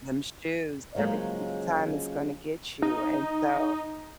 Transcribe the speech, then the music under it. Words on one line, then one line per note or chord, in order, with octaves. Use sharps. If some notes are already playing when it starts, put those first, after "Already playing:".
Them shoes every single time is gonna get you. And so,
C#3 F3 F#3 G#3 A#3
D#4